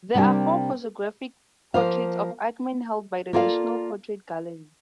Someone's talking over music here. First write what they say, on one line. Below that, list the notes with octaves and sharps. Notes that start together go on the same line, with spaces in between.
There are four photographic portraits of Aikman held by the National Portrait Gallery.
C3 G3 A#3 D4 G4
F3 A#3 F4 C5 F5
A#3 F4 A4 D5 F5